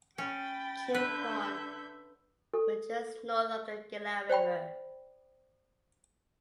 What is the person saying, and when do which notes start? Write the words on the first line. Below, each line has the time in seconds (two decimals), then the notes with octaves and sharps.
Camp Horn was just north of the Gila River.
0.18 C#4 G5 B5 A6
0.94 D3 B4 E5 G6
2.54 A4
4.29 C5 D5 G5 B5